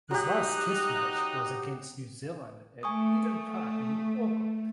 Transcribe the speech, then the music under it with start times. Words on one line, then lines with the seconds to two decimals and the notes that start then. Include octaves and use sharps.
His last test match was against New Zealand at Eden Park in Auckland.
0.11 F#3 D#4 G4 F#6
2.83 A3 G#5 C#6 D#6